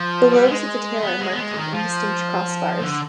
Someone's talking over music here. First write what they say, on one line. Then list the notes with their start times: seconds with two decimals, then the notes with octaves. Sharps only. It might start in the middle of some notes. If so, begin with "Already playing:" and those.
The lobes of the tail are marked with indistinct crossbars.
Already playing: F3
0.31 G3
0.44 B3
0.48 G#3
1.02 B3
1.21 G#3
1.32 B3
1.38 G#3
1.51 D3
1.57 D#3
1.74 F3
2.81 D3